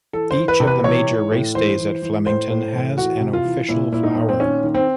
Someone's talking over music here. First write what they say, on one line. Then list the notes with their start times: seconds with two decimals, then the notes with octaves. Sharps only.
Each of the major racedays at Flemington has an official flower.
0.13 E3 A4
0.31 C5
0.37 E3
0.48 B4
0.60 C3
0.67 B4
0.84 E3 C#5
1.08 E3
1.32 A2
1.55 E3 C5
1.79 E3
2.02 E3
2.26 A2 C5
2.50 A2
2.74 E3
2.98 E3 F#4
3.21 C3
3.33 F4
3.45 E3
3.68 A#2 E4
3.92 A#2 E4
4.03 D#4
4.16 A#2
4.29 C4
4.40 D#3 C#4
4.63 D#3
4.74 C4